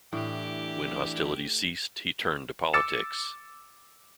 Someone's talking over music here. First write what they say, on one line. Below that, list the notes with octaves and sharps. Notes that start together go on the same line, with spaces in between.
When hostilities ceased he turned to politics.
A2 E3 D4 G4
D6 E6 A6 C#7 E7